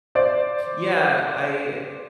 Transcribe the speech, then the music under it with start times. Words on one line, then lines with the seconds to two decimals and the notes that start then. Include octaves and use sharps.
Yeah, I
0.15 C5 D5